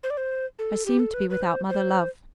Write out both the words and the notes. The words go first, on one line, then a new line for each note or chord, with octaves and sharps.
I seemed to be without mother-love.
C5
D5
C5
A4
G4
A4
B4
B4
C5
C5